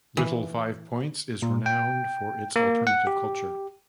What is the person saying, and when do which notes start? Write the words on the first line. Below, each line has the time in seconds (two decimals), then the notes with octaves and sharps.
Little Five Points is renowned for its alternative culture.
0.17 E3
1.42 A#2
1.66 G5
2.56 A#3
2.87 F#5
3.07 G4